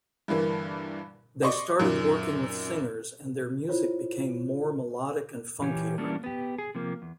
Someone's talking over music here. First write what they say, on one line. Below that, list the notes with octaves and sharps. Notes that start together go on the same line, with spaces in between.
They started working with singers and their music became more melodic and funkier.
G2 D3 E3 A#3
D5 D#5 C6 C#6
F#2 A#2 D#3
E4 F4 C5 C#5
A#2 E3 G4 C#5 G#5
E3 G3 A#3 C#4 D4
B3 G4
G#4
C3 F3 A#3
E2